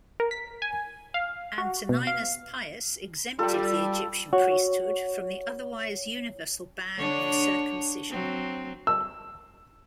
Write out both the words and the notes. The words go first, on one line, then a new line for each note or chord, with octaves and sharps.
Antoninus Pius exempted the Egyptian priesthood from the otherwise universal ban on circumcision.
A#4
B6
G#5
F5
F#4
B2
F5
G3 F4 A4
F#4 C#5
D3 D4 C#5
F#3 C4
E6